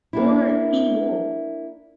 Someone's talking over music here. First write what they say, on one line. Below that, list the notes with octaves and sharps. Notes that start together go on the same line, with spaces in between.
or Teen Wolf.
A#3 D4 E4